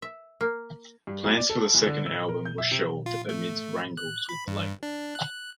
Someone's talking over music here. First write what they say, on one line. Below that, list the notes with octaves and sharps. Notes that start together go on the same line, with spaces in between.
Plans for a second album were shelved amid wrangles with the label.
E5
A#3
G2
B1
D5
A4
B1
D3
E6
A#4
G6
E5
C3
F4
A3
F#6
B5
G2
D4
F#6